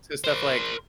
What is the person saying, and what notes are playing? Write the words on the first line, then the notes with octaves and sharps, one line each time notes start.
So, stuff like
A#4 C5